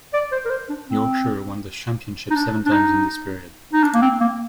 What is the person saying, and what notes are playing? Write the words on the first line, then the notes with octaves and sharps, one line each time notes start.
Yorkshire won the Championship seven times in this period.
D5
C5
A#4
C5
D4
C4
D#4
D4
D4
D#4
D#4
D4
A#3
C4
A#3